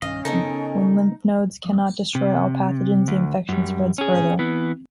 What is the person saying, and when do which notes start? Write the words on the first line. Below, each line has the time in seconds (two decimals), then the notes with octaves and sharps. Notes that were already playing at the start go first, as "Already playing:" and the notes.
When lymph nodes cannot destroy all pathogens, the infection spreads further.
0.02 B1 G2 D#3 C#4 D#5 F5
0.25 C#3 B3 D#4 A4 A#4 D#5
2.15 C3
3.08 D2
3.49 F#2 G3
3.98 C#4 G#4
4.39 E3 B3